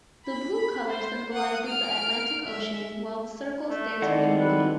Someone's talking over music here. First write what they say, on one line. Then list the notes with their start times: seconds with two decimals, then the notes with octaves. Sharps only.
The blue colour symbolizes the Atlantic Ocean, while the circle stands for unity.
0.26 B5
0.90 C5
1.33 F#5 D#6
1.65 F6 D7
2.47 E5
3.70 A3
4.02 D#3 C4 E4 A4 D5 D#5 F#5
4.40 B4